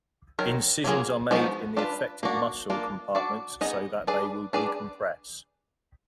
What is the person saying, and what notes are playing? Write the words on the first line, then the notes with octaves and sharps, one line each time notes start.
Incisions are made in the affected muscle compartments so that they will decompress.
D#3 F#3 A#4
F#3 A#3 F4 G#4
F3 G#3 B3 D#4 F#4
D4 F4 B4
A#3 D4 F#4
A#3 D4 F4
D4 F#4 D5
B3 D#4 G#4 D#5
D4 G#4 B4 D5
D4 G#4 B4 D5